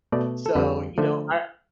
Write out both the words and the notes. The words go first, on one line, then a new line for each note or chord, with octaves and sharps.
So, you know, I
B2 A3 D5
A4
F2 D3 G3 B4
D3 F3 A3